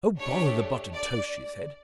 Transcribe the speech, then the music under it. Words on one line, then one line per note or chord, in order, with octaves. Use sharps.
"Oh, bother the buttered toast," she said.
A3 D4 G4 C#5
D5